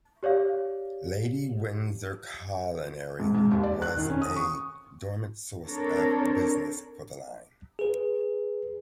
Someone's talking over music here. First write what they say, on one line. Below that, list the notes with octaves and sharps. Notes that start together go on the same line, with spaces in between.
Lady Windsor Colliery was a dominant source of business for the line.
G4 C#5 D5 F5
G#2
G#2
D#2
D5
F#6
D#3
C#4
D#6
C#6
C4 D4 A4 A#4 C#5
G#4 B4